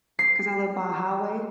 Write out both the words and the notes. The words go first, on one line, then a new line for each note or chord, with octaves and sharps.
cause I live by a highway,
C7